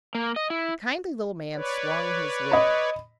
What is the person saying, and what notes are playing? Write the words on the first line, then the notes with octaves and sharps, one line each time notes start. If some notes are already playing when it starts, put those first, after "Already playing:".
The kindly little man swung his whip.
A#3
D#5
E4
B4 C#5 D5
D#5 B5